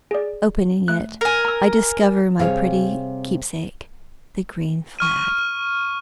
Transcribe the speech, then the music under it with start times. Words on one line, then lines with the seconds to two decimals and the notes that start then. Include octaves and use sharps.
Opening it, I discover my pretty keepsake--the green flag!
0.11 G#4 D5
0.88 A3 F#6
1.21 A#4 G#5
1.45 A#5 E6
2.40 C3 G3 C4 G#4 C#5 F5
4.99 C#6 F6 D#7